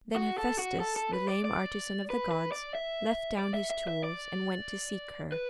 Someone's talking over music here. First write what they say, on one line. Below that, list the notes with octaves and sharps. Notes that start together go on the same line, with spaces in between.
Then Hephaestus, the lame artisan of the gods, left down his tools and went to seek her.
F#4
A4
F#4
A4
A4
B4
D5
D5
B4
B4
D5
E5
D5
E5
E5
E5
D5
B4